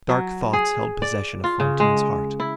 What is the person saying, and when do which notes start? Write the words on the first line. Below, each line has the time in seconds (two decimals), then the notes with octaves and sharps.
Dark thoughts held possession of Fantine's heart.
0.09 F#3
0.53 G#4
1.02 D5
1.44 F4
1.60 C#3
1.80 G#3
2.40 E4